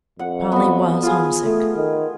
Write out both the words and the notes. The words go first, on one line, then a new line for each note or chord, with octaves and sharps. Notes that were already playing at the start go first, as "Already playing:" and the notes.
Polly was homesick.
F2 F#5
B3 F#4
F4 G#4
A3
D#3